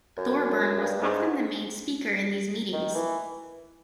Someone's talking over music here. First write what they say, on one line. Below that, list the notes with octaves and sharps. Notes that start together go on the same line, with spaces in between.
Thorburn was often the main speaker in these meetings.
F#2
G2
G#2
D#3
E3